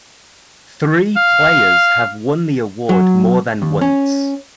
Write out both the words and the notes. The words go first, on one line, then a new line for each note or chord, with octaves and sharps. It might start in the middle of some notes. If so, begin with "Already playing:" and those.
Three players have won the award more than once.
F5
F#3
D#2
C#4